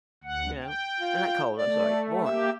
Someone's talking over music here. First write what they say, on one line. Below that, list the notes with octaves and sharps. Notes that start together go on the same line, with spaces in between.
You know? And not cold, I'm sorry, warm.
D2 F#5
G5
F4
A3 D5
A#3 G4 E5